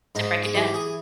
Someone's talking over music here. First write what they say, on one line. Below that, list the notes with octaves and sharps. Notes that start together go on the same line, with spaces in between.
To break it down.
G#2 D#4
G#4
E3 G4
G#4